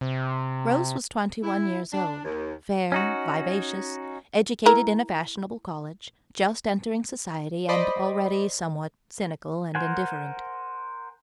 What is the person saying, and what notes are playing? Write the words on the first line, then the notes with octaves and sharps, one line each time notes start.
Rose was twenty-one years old, fair, vivacious, educated in a fashionable college, just entering society and already somewhat cynical and indifferent.
C3
E4
D4
D#2
C#4 D#4 F#4
E4 A#4
C5 D5 D#5 B5
A#4 C5 F#5 G#5